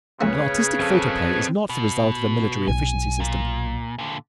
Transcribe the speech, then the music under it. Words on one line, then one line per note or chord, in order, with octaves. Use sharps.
An artistic photoplay is not the result of a military efficiency system.
C#2 C#3 A#3 G#4 B4 C#5
C4 A4
B2
B1 G#5
A#2
A#2 D3